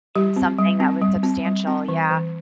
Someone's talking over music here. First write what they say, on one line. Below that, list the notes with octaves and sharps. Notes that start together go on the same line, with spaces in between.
In something that was substantial, yeah
G3 G4
C4
G3
C4
G3
C4
G3
C4
E3
E3